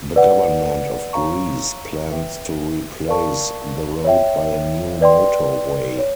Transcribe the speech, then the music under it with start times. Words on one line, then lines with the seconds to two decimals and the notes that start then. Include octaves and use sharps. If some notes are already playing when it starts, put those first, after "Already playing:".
The government of Greece plans to replace the road by a new motorway.
0.16 B4 D5 F#5
1.13 C#5 F5 A#5 C#6
2.10 B4 E5 G5
3.08 A#4 D5 F5 A5 C#6
4.05 C#5 E5 G5
5.01 B4 D5 G5 C6
5.98 C#5